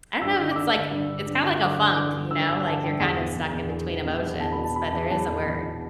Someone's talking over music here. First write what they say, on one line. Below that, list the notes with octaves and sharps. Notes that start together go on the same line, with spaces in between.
I don't know if it's like it's kinda like a funk, you know? Like, you're kind of stuck in between emotions, but there is a word.
G2 E6
D3
D6
D3 E6
D3
G2
G2
G2
D3
D3 D6
G2
D3 D6
G2
G2 E6
G2 E6
D3 A5
G2 G5
E2 F#5
B2
E2
E2
E2
B2
B2
E2
E2 A5
B5
B2
A5
B2 B5
A5
E2
E2 A5
E2
E2
B2